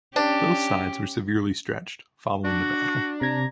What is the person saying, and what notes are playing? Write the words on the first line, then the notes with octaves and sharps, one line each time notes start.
Both sides were severely stretched following the battle.
C#4 D4 G4
D4 F#4
C3 A#5 G#6 A#6